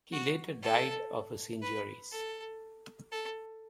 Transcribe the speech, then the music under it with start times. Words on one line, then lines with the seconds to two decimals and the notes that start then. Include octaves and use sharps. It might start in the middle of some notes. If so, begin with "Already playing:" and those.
He later died of his injuries.
0.12 F#4
0.62 A4
1.62 B4
2.12 A4
3.12 A4